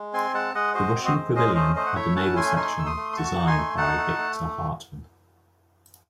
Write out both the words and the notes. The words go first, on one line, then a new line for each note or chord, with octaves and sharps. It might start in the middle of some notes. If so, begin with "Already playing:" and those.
The Russian pavilion had a naval section designed by Viktor Hartmann.
Already playing: G#3
C4 G#5 C6
G#3 F#5 A5
G#3 D#5 F#5
F#4 C5 D#5
C4
C5 D#5
G#3
C#4 C5 D#5
A3 C5 D#5
A3 C5 D#5
F#5
E4 C#5 E5
C#4 F#5 A5
A3 G#5 C6
D#4 G#5 C6
A3 E6
C6 D#6
A3
C6
F#4 A5 C#6
D#4
G#5 C6
A3
D#4 F#5 A5
A3
A3